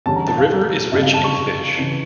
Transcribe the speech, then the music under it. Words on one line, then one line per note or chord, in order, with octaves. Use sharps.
The river is rich in fish.
E2 D3 G3 C#4 A5
A#5
A5
F5
F2 C#3 G3 E5
F5
A5
C#6
C#3 E3